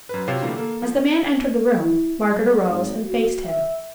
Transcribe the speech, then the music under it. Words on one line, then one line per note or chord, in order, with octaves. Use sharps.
As the man entered the room, Margaret arose and faced him.
F#2 B4
C3 F4 F#4 C#5 C7
A#2 D3 E3 G3 A3 A#3
A#3 A4
F3
E4
G3
G#1
F#4
E5